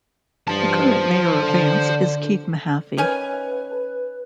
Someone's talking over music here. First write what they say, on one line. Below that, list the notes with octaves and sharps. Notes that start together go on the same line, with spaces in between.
The current mayor of Vance is Keith Mahaffey.
G2 C5 A5
D3
D#3 C#4 B4 G#5